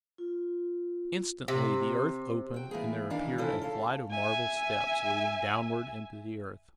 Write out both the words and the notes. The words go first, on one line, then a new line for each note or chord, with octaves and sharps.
Instantly the earth opened, and there appeared a flight of marble steps leading downward into the earth.
F4
C3
F#4 G5
E3 A#3 B3 G#4
D#3 E3 D4 F5
C3 E3 C#4 E4 F4 A4
C#4 A4 F5
E5 G#5